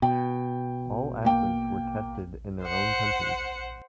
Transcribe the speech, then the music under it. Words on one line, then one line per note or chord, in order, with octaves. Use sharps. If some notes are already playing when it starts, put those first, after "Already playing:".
All athletes were tested in their own countries.
B2 G5
A#3 G5
C5 F#5